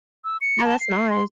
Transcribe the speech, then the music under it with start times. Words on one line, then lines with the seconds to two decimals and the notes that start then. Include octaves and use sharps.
No, that's nice.
0.24 E6
0.41 C#7
0.64 A5
0.80 C7
1.10 C6